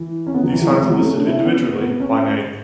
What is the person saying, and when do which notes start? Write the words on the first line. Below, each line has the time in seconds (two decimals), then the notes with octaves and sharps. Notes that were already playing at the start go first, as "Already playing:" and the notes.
These fans are listed individually, by name.
Already playing: E3
0.27 C#4
0.34 B3
0.43 F#3
0.52 E3
0.62 F#3
0.71 G#3
0.80 E3
0.89 F#3
0.99 A3
1.07 C#4
1.16 D4
1.27 E4
1.35 C#4
1.45 B3
1.81 B3
2.00 C#4